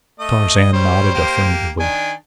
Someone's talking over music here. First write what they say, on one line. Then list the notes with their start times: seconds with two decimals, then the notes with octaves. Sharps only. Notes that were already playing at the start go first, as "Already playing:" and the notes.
Tarzan nodded affirmatively.
0.20 A3 D#5 D#6
0.73 G3 C#4 C5
1.14 A#3 G4
1.79 D#3 D4 G#5